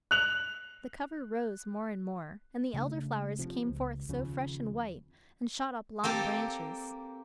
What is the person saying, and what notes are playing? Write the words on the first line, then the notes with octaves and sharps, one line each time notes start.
The cover rose more and more; and the Elder-flowers came forth so fresh and white, and shot up long branches.
F#6 F7 F#7
C#3 A3 A#3 D4
C3 F3
C#2
D#2 C#3 F3
A#3 C4 G4 A4